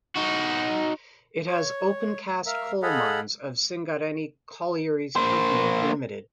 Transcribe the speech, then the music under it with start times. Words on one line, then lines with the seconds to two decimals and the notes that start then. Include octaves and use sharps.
It has open cast coal mines of Singareni Collieries Company Limited.
0.16 D#4 F#4
1.48 C#5
2.46 A#4 E5 F5
2.83 G#4 A4 D#5 F5 F#5 B5
5.16 A#3 C5